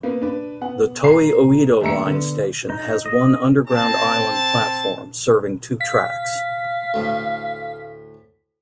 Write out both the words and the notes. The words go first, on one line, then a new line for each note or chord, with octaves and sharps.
The Toei Oedo Line station has one underground island platform serving two tracks.
A#3 B3 B4
D4 B4
B3 F#5
A#5 C7
D#2 A3 E5 A#5 C#7
D3 B3
D#4
D#5
C4 A5
F5 B6
D2 A2